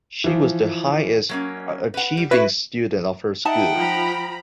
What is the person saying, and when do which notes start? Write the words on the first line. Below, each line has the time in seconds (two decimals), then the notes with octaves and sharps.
She was the highest achieving student of her school.
0.24 E3 F3
1.29 F#3 A#3 C#4
1.94 B4 F#5
2.17 G3
2.31 E4 F#4 B4 E5
3.45 D#4 E5 F#5 G5 A5
3.75 F3 A#5 B5